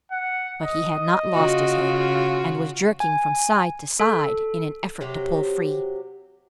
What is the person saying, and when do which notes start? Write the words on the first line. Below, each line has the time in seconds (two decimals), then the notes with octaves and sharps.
But he had not lost his head and was jerking from side to side in an effort to pull free.
0.12 F#5
0.62 D#5
1.33 C#3 F4 F#4
3.00 G#5
4.00 A4
5.01 C3 F#3 G4